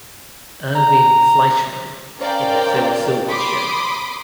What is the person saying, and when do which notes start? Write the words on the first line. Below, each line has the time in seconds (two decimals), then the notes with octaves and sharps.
Irving Fleischman in "The Phil Silvers Show".
0.75 A#5
2.18 C#4 A#4 C5 D5 F5 G5
3.29 B5 C6 D6 D#6